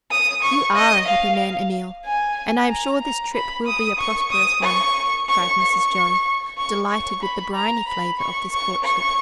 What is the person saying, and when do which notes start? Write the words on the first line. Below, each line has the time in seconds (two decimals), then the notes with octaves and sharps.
You are a happy man, Emil, and I'm sure this trip will be a prosperous one,' cried Mrs Jo, delighted with the briny flavour of this courtship.
0.11 D#6
0.43 C#6
0.76 D#5
1.08 F5
2.06 G#5
2.70 A#5
3.02 A#5
3.34 B5
3.67 D#6
3.99 C#6
4.31 D#6
4.63 C#6
5.28 C#6
5.60 C#6
6.58 C#6
6.91 C#6
7.23 B5
7.55 A#5
7.88 B5
8.19 C#6
8.52 C#6
8.84 C#6